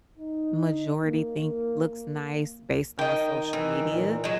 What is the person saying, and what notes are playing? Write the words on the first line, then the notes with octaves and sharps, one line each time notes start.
majority think looks nice based on social media
D#4
A#3
D#3 D#5 G5
E3
A#2
F#3 G#3